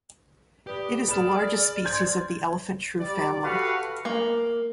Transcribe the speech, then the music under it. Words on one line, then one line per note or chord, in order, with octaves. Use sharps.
It is the largest species of the elephant shrew family.
G4 B4 D5 D#6
A#3 G#4 D5 B5 F6 E7
C5 G6 G#6
G3 D5
F#4 G4 A4 B4 F5 F#5
A#3